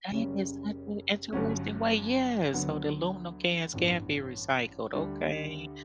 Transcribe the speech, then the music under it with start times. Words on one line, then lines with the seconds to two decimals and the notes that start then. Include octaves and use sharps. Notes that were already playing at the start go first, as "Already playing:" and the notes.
That is such a interesting way. Yes, so the aluminum cans can be recycled. Okay,
0.12 F#1 F#2 C#3 G3 C#4
1.33 G1 G2 F#3 C#4
2.53 D2 D3 F#3 B3
3.74 A1 G2 E3 B3
4.94 D2 D3 G3